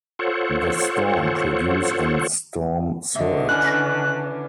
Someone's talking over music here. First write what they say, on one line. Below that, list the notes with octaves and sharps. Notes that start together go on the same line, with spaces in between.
The storm produced an storm surge.
F4 A4 C5 C#5 F#5
D3 D#5 E5
E3 C#4 D4 F#6